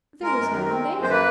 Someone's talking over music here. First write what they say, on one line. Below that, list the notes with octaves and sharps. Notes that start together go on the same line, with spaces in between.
There was no one there!
G#3 A#4
F#2
D#3
C4
G#3
F#2
C5
A#3 B4